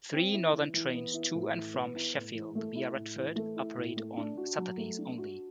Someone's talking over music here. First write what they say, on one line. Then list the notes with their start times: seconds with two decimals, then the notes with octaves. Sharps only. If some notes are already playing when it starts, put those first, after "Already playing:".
Three Northern trains to and from Sheffield via Retford operate on Saturdays only.
0.13 C4
0.33 E4
0.53 E3
0.74 E3
0.94 B3
1.14 E4
1.34 A2
1.55 E3
1.74 B3
1.95 E4
2.15 A2
2.35 E3
2.55 A3
2.75 E4
2.96 A2
3.16 E3
3.36 A3
3.56 E4
3.77 A2
3.97 A3
4.17 D4
4.37 F#4
4.58 F#3
4.78 A3
4.99 D4
5.18 F#4